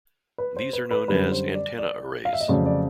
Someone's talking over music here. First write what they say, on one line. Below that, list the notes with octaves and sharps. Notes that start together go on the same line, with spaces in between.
These are known as "antenna arrays".
B4
C5
B4
B4
F#2 D3 G3 B4
C5
D5
D5
F5
E5
D#5
F2 C#3 F#3 A3 D5
D5